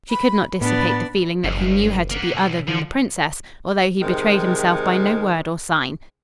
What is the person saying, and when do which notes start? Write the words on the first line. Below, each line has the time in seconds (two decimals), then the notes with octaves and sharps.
She could not dissipate the feeling that he knew her to be other than the princess, although he betrayed himself by no word or sign.
0.10 B5
0.61 A2 B3 D4 D5 B5
1.44 F#1 F2
1.58 G2
2.11 A#3 B3
2.33 B1
2.68 D3 F3
4.01 C3 D#3 G#3